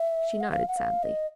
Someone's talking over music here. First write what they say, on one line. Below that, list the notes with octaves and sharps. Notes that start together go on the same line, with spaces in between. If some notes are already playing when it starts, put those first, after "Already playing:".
She nodded sadly.
Already playing: E5
F#5
F5
F#5
F5
D#5